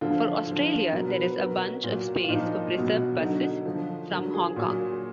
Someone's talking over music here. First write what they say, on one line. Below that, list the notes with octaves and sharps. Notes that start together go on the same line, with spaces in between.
For Australia, there is a bunch of space for preserved buses from Hong Kong.
D3 F3 F4
D3 F3
B2 F#3 A#4
B4
B4
B2 F#3 A#4
A#2 F#3
F4
A#2 F3 D#4
B2 F#3
D3 F#3 D#4
D3 F3
D3 F#3 A#4
G#4
A#2 F#3